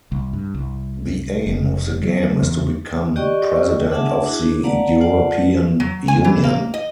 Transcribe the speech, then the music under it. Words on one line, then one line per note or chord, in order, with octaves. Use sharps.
The aim of the game is to become President of the European Union.
C2
G2
C2
F1
F#3
E2
F#4 G4 D5 D#5 G5 C#6
D4 G#4 E5 F#5 G#5 A5
D4 E4 F#4 G#4
B4 D5 F5 F#5 A5 A#5
F4 C5 D5 F#5 A5
B4
F#3
G#5
E3
A#3
D#5